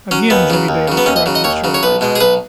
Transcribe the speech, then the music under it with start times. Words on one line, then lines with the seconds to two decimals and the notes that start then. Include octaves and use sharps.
Again Jimmie Dale shrugged his shoulders.
0.11 F#3 C#4
0.30 D#2 B3
0.50 C#3 F#3
0.69 D#2
0.88 C#3 F#3
0.97 B3
1.06 D#2 C#4
1.16 D#5
1.26 C#3 F#3
1.35 D#5
1.44 D#2 C#5
1.64 C#3 F#3
1.74 C#5
1.83 B1 B4
2.01 B2 G#3
2.16 G#4
2.21 B1 B4